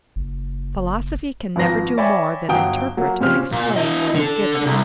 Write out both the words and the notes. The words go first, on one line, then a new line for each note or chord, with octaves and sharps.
Philosophy can never do more than interpret and explain what is given.
F#1
G#1 F3 B4 A#5 A#6
C#5 D5 E5 G5 G#5 B5
G1 F#3 G5 D#6
F#3 A#3
A#2 C#3 C4 C#4 G4 F6
A#2
E4 D#5
D3 A4
C2